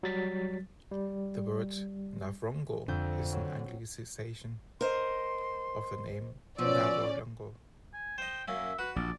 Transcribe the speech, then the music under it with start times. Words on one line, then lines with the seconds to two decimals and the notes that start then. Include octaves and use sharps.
The word "Navrongo" is an Anglicization of the name "navorlngo".
0.03 F#3 G3 A6 B6
0.91 G3
2.88 F2 D3 G6
3.33 F#3
4.81 A#4 C5 D#5 C6
6.58 B2 F3 C#4 D5 E6
7.94 G#5
8.18 C5 D#5 G5
8.48 F#2 A#3 C#4 E5
8.79 F#4 B4
8.96 A#1 D5